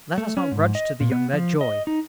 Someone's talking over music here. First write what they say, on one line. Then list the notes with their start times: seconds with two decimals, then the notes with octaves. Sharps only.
Let us not grudge to the young their joy.
0.18 A3
0.37 C#4
0.52 G#2
0.75 D#5
1.00 A#2
1.11 B3
1.33 F3
1.61 D#5
1.87 D#4